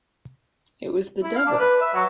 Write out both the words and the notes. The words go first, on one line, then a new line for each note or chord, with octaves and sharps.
It was the devil!
E4
F5
D4
B4
E5
F#3